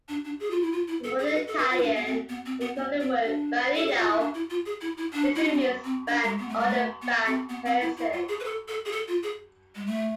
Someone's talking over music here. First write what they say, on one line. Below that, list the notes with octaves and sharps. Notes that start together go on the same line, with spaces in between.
In modern Italian the equivalent word "bandito" literally means banned or a banned person.
D4
D4
G#4
F4
E4
F4
E4
A4
G#4
A4
B4
A4
B4
F4
E4
D4
B3
C4
B3
C4
B3
B3
C4
D4
A4
G#4
F4
E4
D4
E4
F4
G#4
E4
E4
D4
E4
D4
C4
B3
C4
D4
G#3
B3
A3
G#3
A3
B3
C4
B3
C4
E4
E4
F4
G#4
B4
A4
A4
G#4
A4
F4
G#4
G#3
A3